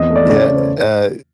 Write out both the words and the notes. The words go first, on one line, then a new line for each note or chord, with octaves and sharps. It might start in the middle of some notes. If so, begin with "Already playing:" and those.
Yeah, uh uh
Already playing: E2 C4 D#5
A3
D5
C#3 D5
C#5
C#3
C5